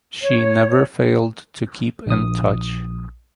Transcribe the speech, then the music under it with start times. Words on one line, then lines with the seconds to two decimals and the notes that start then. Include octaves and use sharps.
She never failed to keep in touch.
0.21 C#5
2.06 A#1 D#6